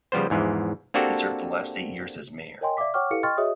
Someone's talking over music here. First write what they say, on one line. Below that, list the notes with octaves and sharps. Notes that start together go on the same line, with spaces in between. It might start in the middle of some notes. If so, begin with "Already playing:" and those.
He served the last eight years as mayor.
C#3 F3 G3 B3 C5
E2 G#2 E3 F3
A#3 C4 D4 F#4 G4 A4
A#4 C#5 D#5 G5 G#5 C6
D5 E5 F5 D6 B6
C#5 F#5 G5 C#6 D6 F6
E4 G4 A4 B4 F5 C#7
D#5 G5 C6 C#6 F6 A6
F#4 G#4 C#5 D#5 E5 D#6